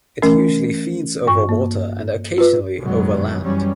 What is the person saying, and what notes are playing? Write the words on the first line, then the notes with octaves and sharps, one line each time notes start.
It usually feeds over water and occasionally over land.
E3 A3 C#4 A#4
G2 C#6
A#3
F4 B4
F#2 B2 D#3 F#3 G#3
F#2 E3 F#3 G3 C#4